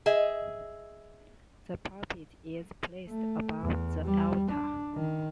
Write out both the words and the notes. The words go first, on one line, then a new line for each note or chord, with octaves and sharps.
The pulpit is placed above the altar.
G#4 D#5 E5
A3
E2
G3
D4
D#3